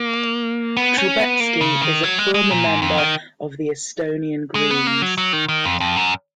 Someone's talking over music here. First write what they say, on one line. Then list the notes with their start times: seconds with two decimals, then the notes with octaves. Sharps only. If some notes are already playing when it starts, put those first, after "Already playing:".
Trubetsky is a former member of the Estonian Greens.
Already playing: A#3
0.77 B3
0.98 C#4
1.20 B3
1.40 A#3
1.61 C#3
1.81 D#3
2.03 F#3
2.18 G#3
2.34 G#3
2.51 A#2
2.66 G#2
2.82 F2
2.98 D#3
4.55 G#3
4.70 B3
4.87 A#3
5.02 F#3
5.18 F#3
5.33 D#3
5.49 D#3
5.65 F2
5.80 F2
5.96 F#2